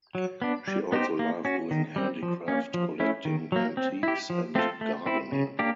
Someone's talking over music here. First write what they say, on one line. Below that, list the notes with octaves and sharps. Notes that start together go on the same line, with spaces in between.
She also loved doing handicraft, collecting antiques and gardening.
F#3
B3 D4
G3
B3 D#4 G4 C5
A#3
C#4 F#4
D#3
G3 C4
F3
A#3 C#4
F3
A3 C#4 E4
D#3
F#3 A#3
C4
E4 G4
F3
A3 C4 F4 A4
A3
C4 E4
C#3
A#3 D4 G4